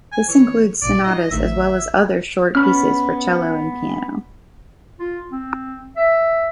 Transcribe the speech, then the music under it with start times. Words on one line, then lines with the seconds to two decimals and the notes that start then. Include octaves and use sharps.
This includes sonatas as well as other short pieces for cello and piano.
0.12 G#5
0.29 E3 C#5
0.82 A#1 A#2 D5
1.04 D#4 F4 D#5
1.31 A1 D#3 A3 E5
2.55 B3 C#4 B5 F6
4.99 F4
5.32 C4
5.97 E5